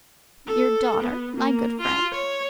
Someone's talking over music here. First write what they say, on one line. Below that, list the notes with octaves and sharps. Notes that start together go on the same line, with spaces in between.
"Your daughter, my good friend?"
A4
B3
A#3
F4
C#5